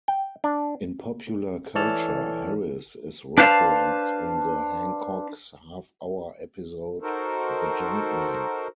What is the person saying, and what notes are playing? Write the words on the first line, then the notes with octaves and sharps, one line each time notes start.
In popular culture, Harris is referenced in the Hancock's Half Hour episode 'The Junkman'.
G5
D4
E3 A4 C#5 D5 A5 F6
D4 B4 C5 F5 F#5 A5
D#4 F#4 A4 A#4 C5